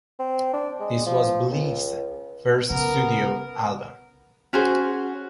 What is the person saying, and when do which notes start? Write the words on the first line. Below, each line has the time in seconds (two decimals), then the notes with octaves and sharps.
This was Bleach's first studio album.
0.19 C4
0.53 D4
0.80 G#3
1.06 F3
1.51 C#2
2.70 C#3 B3 A#4
4.53 C#4 F#4 G#4 C5